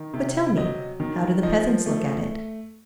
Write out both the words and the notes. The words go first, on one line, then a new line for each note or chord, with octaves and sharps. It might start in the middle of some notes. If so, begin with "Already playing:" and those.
But tell me, how do the peasants look at it?
Already playing: D#3
C3
F#3 D#5
D#3
F3 D#5
A3